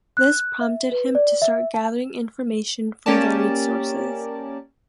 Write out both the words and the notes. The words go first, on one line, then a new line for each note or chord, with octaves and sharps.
This prompted him to start gathering information from varied sources.
F#6
E5
B4
D5
E5
A5
A#3 C#4 G4 A#4 D5 A5